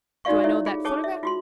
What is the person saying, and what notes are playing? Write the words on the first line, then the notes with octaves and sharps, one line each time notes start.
Do I know that photograph?
D#4 F#4 D5 F5 C#6
D#4 E4 A4 C#5 E5
F4 G#4 A4
G#4 A4 C#5 A5 D6 D#6
E5
F4 F#4 C6